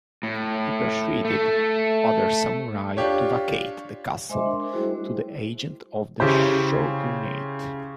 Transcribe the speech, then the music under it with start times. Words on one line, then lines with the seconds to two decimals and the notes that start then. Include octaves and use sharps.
He persuaded other samurai to vacate the castle to the agents of the Shogunate.
0.23 A2
1.25 A3
2.97 D4 F4 G4 C#5
4.29 G#3 C5 D#5 E5 C6 D6
4.46 D4 A#4
4.72 G3 A3 E4 F#4 G#4 C5
6.20 C#3 E4 G4 C5